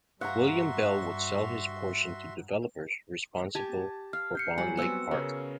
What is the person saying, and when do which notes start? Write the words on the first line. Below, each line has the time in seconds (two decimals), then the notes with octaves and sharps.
William Bell would sell his portion to developers responsible for Bond Lake Park.
0.21 G2 F#4 E5 F#5 A#5 C6 C#6
3.55 G4 G#5 A5 G#6
4.13 F5 F6
4.35 G6 C7 C#7
4.58 F#3 G3 F#5 G#5
4.77 B3 C4 F#4 E6 C#7
5.11 C#3 B3 C#4 A#4